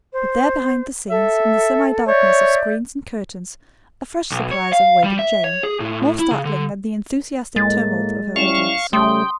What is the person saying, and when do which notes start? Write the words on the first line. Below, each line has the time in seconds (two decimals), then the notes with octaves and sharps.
But there, behind the scenes, in the semi-darkness of screens and curtains, a fresh surprise awaited Jane, more startling than the enthusiastic tumult of her audience.
0.11 C5
1.10 A4 E5
2.07 C#5 D5 E5 G6
4.31 B1
4.51 C#5
4.73 F5
5.04 G3
5.19 E5
5.44 C#5
5.63 G#4
5.80 A2
6.03 A2
6.19 E4
6.31 C#3
6.45 D3
7.56 A2 G#3 A#3 A6
8.36 G3 C#4 E4 F5 C#6 E7 F7
8.93 C#3 G3 A3 C#4 G5 C6 D#6